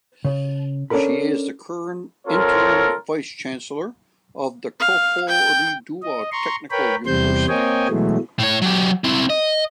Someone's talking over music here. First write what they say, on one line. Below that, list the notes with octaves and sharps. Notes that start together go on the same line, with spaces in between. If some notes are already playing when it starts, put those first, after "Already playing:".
She is the current interim Vice Chancellor of the Koforidua Technical University.
C#3
C#4 D4 A4 A#4 B5
C4 F4 A4 A#4 C#5
F5
G5
D#5
A#5 C6 C#6
A#4 B4 C#5 G5 B5
E2 C3 G3 C5 C6 G6
A#3 C4 C#5 D#5 G5 G#5
B2 E3 F#3 G#3 A3
A2 C#5
F#3 G4
C4 E4
D#5